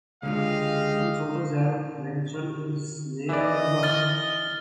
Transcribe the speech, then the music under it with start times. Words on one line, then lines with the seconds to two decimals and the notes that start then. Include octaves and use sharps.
Some sources have mentioned his name Umar.
0.23 C#2 D3 G#3 F4 G4 D#5 F5
3.29 E3 D5 D#5
3.83 F6 A6 G7